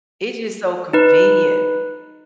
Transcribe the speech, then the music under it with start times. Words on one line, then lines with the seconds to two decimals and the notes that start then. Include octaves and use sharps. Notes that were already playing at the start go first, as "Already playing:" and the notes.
It's just so convenient.
0.93 D#4 B4